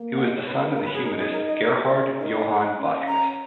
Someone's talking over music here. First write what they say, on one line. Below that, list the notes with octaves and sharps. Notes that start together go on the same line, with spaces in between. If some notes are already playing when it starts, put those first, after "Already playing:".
He was the son of the humanist Gerhard Johann Vossius.
Already playing: A#3
F#5
D#5
C#5
B3 B4
A#4
C#4 A#4
B4
G#4
D#4 A#4
G#4
A#4
D#5
A#4
C#4
D#4 A#4
C#5
D#5
D#4 F#5
C#4
C#4 A#5